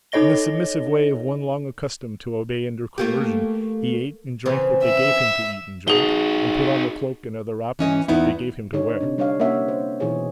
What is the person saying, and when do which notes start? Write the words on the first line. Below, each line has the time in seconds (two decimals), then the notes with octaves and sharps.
In the submissive way of one long accustomed to obey under coercion, he ate and drank what they gave him to eat and drink, and put on the cloak and other wrappings, that they gave him to wear.
0.12 D#4 A4 C#5 D#5 A#6 G7
2.98 A3 A#3 G4
4.46 C#3 E3 C4
4.84 E5
5.88 D#4 F#4 G#4 G7
7.79 E3 C#4 D#5
8.08 E2 B3 D#4 E4
8.73 D3 D#4 C#5
9.01 C3 D4
9.18 G3 D4 C#5 D#5 F5
9.40 A#3 C#4 E4 C#5 E5 F#5
9.68 C5
10.00 B2 E3 D#4 G#4 C#5